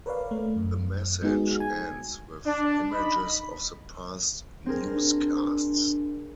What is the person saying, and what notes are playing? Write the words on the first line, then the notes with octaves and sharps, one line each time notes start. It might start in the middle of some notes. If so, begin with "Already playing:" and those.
The message ends with images of the past newscasts.
A#4 B4 C#5 D5 F5
A3
F#2
G#3 B3 D#4 F#4 G#4
G#5 G#6
D4
D#4 D#5 B5
C4 D4 G#4 A#4